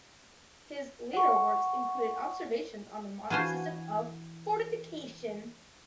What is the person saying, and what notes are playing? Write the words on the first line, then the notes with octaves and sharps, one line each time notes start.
His later works included "Observations on the Modern System of Fortification".
F#5 C#6
E3 D4 F4 F#4 B4 C5 G#5